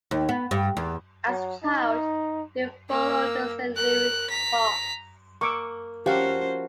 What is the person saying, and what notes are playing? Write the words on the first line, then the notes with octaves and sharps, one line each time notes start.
As a child, he followed the Saint Louis Hawks.
D#2
B3
G2
E2
F#3
D#4
A#3 E6
A#4 F#6
A#5 B6
A#3 C#6 D6 E6
F3 C#4 F#4 G4 A#4 C5 F5